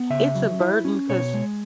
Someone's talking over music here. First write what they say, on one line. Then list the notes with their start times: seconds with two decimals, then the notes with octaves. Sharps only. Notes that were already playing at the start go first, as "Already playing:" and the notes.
it's a burden, 'cause
Already playing: B3
0.10 C#3 E5
0.35 F#3
0.60 E4
0.85 C#4
1.09 B2 C#5
1.34 G#3